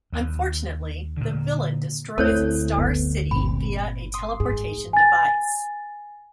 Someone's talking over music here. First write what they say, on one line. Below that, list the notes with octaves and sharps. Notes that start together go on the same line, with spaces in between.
Unfortunately, the villain destroys Star City via a teleportation device.
D#2
A#2 D3
D2 A3 C4 E4 A4 C5 C#5
F#1 B3
G1 A#2 C4 B5
C6 D#6
G#2 G#4
G#5 A6